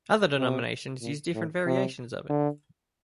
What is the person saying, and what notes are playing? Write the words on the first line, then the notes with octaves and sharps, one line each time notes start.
Other denominations used different variations of it.
C3
A#2
A2
C3
D3